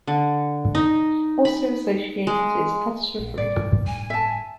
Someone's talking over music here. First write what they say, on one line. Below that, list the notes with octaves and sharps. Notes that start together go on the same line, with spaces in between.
Also associated is "Ads for Free".
D3
D#4
B5
G#3
A#1
G1 A2 G3 D5
G#5
E5 A5